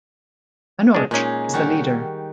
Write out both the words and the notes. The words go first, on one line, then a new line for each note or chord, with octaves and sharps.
Manoj is the leader.
G#3 D4
A#2 G#3 C#4 D#4
D#3 G3 F#4